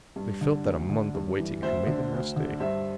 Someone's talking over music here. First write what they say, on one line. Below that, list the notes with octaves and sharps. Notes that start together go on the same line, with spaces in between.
They felt that a month of waiting had made them rusty.
G2
D3
D2
D3
G2
E3
D2 C5 E5
D3
D2
D3
G2 C5 E5